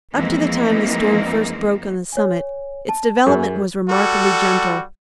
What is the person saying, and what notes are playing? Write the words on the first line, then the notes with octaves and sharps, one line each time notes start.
Up to the time the storm first broke on the summit its development was remarkably gentle.
F2 E3 G#3 A#3 C4 D#4
C#5 G#5
A5
F#2 G#4 A#4 G#5
G3 F#4 A4